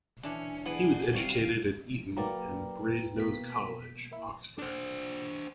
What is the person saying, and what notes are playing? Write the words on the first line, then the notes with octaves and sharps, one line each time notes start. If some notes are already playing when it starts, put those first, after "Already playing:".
He was educated at Eton and Brasenose College, Oxford.
E3 C#4 D4 C#7
E3 B3 G#4 D5
C2 F5 C#6 D#7
F#3 A#3 B4 D5 G5 A#5
B2 A#3 B6
A#3 E4
D4 C5